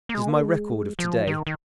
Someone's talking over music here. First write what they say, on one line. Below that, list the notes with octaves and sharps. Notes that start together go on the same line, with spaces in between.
It is my record of to-day.
A#3
G#3
A#3
G#3
F3
D#3
D#3